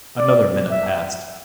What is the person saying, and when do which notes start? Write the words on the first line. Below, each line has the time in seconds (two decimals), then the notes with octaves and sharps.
Another minute passed.
0.18 D5
0.70 E5